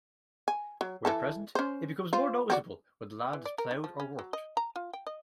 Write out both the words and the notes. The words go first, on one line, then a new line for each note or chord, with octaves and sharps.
Where present, it becomes more noticeable when the land is ploughed or worked.
G#5
F#3
E3 A4 A5
C#4 C5
F4 C5
C4 F#4 D5
E3
D5
A#4
D#4
F3
C#4
F#3
D#5
A#5
F4
G5
D#5